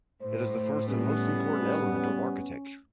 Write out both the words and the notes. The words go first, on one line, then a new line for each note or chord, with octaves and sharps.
It is the first and most important element of architecture.
A2 C5
G3 B3 C#4